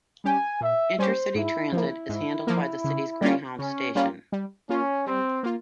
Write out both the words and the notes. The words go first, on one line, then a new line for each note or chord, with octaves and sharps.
Intercity transit is handled by the city's Greyhound station.
G3 C#4 G4 G#5
A#2 E5
G3 C#4 G4 C5
G#2 E4
F3 A#3 E4
G#2
F3 A#3
C#3
G3 A#3 C#4 F4
C#3 C#4
G3 A#3 C#4 F4
G3
A#3 C#4 F4
G3 C4
A#3 F4